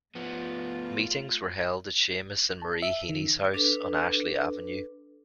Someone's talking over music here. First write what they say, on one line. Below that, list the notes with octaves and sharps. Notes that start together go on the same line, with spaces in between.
Meetings were held at Seamus and Marie Heaney's house on Ashley Avenue.
F3 A3 B3 F4
A5
E5
D#3
D4 A4 B4